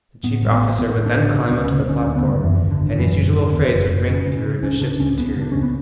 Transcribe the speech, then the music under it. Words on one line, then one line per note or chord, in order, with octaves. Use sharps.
The chief officer would then climb onto the platform, and his usual phrase would ring through the ship's interior.
A2 B3
A1 A3
B3
A1
A2 B3
A1
D4
A1
C#3 D4
D2 B3
C#4
C#3
D2 C#4
D2
B3
C#3
D3
F#2 E3
G#1
D3
G#1
F#2 E3
G#1
G#1
E2
F#1
F#1
C#3
C#3
C#3
C#2 C#4
C#3 D4
C#3 C#4
C#2 B3
C#3
D4
C#3 C#4
B3